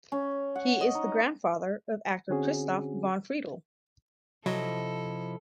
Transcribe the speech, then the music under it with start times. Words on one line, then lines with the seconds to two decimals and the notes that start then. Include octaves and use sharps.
He is the grandfather of actor Christoph von Friedl.
0.12 C#4
0.56 F#5
0.81 D#5
0.95 D#4
2.30 D3 C4 C#4 F#4 G#4
4.46 C3 F3 F#3 E4 A4 D#5